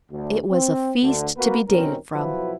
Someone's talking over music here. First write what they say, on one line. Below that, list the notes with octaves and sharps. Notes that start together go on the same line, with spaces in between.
It was a feast to be dated from.
D2
C4
D2 D3
A#3 B3 F#4 A#4 B4
C2 B2 D#3 C4 C#4 A#4
B1 F3 F#3 E4 F#4 B4